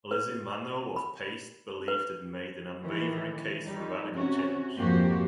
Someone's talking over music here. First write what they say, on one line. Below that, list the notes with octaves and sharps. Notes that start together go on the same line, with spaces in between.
Lizzie Manno of "Paste" believed it made an "unwavering case for radical change".
B4
B5
B4
D#3 E3
G3 D#4
C3 C#4 F#4
F2 G#2 A#3 F#4 G4 C5